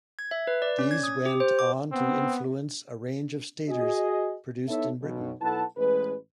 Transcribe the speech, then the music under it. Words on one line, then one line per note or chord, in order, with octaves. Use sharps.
These went on to influence a range of staters produced in Britain.
G#6
E5
B4
D5
C#4
G#6
D#6
G4
C5
D6
B3 C4
F#4 G#4 D#5
B3 D#4 E4 A4 C#5 E5
B1 B2
B1 E4 A4 B4 F#5 A5
A1 G#3 B4